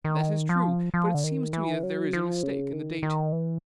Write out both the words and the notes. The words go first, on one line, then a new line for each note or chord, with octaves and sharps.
That is true; but it seems to me that there is a mistake in the date.
D#3
F3
F3
D3
D#3
E3
F#3
F3
C#3
D#3
D#3
E3